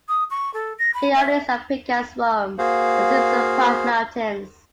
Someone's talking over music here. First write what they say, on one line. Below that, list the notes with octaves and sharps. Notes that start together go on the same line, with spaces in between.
Coyotes and pikas roam the Simpson Park Mountains.
D#6
C#6
A4
A#6
B5
E5
A#3 F#4 G#4 C5 F5